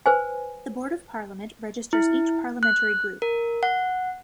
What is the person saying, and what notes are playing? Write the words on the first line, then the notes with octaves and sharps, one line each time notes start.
The board of parliament registers each parliamentary group.
B4 C5 G#5
E4
F#6
A#4
F#5